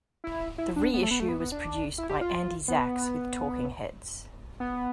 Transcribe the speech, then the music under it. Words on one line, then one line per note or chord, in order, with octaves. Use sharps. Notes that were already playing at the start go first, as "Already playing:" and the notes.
The reissue was produced by Andy Zax with Talking Heads.
E4
E4
D4
B3
A3
B3
A3
B3
B3
D4
E4
G4
F4
B3
B3